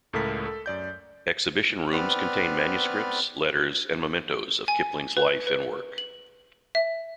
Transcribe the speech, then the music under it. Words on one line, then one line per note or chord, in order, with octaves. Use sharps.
Exhibition rooms contain manuscripts, letters, and mementoes of Kipling's life and work.
C#2 A2 A4 A#4 A6 B6
A4
F#2 D5 G6
B3 C4 B4 D5 B5 F6
G#5
B4
B4
F#7
E5